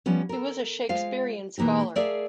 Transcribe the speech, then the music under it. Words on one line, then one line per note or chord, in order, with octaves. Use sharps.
He was a Shakespearian scholar.
F3 G3 B3 C#4
A4 A#4
G#3 F4 C5 F5
B2 E3 A#3 D#4 G4
A3 G#4 A#4 D5 E5 F5